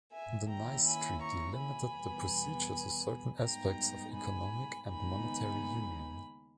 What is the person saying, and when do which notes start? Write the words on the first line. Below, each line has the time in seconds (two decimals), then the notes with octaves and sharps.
The Nice Treaty limited the procedure to certain aspects of economic and monetary union.
0.13 E5 G#5
0.49 D#3 A#3 C#4 E4 G5 A#5
0.87 G#5 B5
1.23 A#5 C#6
1.59 G#5 B5
1.95 E2 B2 G3 B3
3.41 G#2 G3 B3 D#4 G5 A#5
4.14 G#5 B5
4.86 D#2 C#3 G#3 B3 D#4 G#5 B5